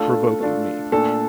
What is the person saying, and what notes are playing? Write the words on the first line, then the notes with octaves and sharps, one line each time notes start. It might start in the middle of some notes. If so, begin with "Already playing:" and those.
provoking me.
Already playing: A3 D4 F4 A4
A3 D4 F4
A#2 A3 D4 A4